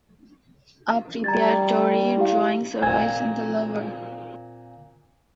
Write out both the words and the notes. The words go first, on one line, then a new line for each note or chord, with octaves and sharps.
A preparatory drawing survives in the Louvre.
G3 A#5 G#6 A6
E4 G4 F5
A#2 C4 G#5 G#6